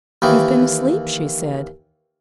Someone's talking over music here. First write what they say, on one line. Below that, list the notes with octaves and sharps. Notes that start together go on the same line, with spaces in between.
"You've been asleep," she said.
D#2 D#3 E3